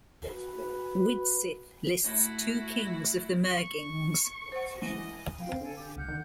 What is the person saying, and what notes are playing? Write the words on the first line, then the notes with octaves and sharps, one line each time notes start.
Widsith lists two kings of the Myrgings.
F#4 B4
A3 E4 F#4
C#6
C5 F#5
E3 D#5
F5 G5
C4
D3 A4 G#5
G4 D6
C#2 F#5 F6 G6
D#3